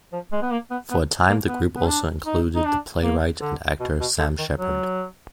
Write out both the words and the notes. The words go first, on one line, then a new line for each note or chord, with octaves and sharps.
For a time the group also included the playwright and actor Sam Shepard.
F3
G#3
B3
A#3
B3
B3
A#3
B3
B3
D4
D#4
D#4
D4
A#3
D3
B2
B2
D3
D#3
F#3